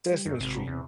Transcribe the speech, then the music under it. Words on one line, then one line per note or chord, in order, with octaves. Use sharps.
Sesame Street.
G3
F#2
G#1 C3
E2